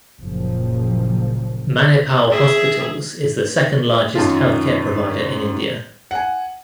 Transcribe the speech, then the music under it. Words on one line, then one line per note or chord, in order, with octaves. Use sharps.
Manipal Hospitals is the second largest healthcare provider in India.
F#1 A#2 F3
G#4 E5
F#2 D#3 F4
F#5 G#5